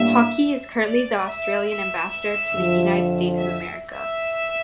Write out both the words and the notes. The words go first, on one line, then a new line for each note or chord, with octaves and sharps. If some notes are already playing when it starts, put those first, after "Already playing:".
Hockey is curreny the Australian Ambassador to the United States of America.
Already playing: A2 G3 A#3 D4 E5
D5
E5
E5
F2 D3 F3
E5
E5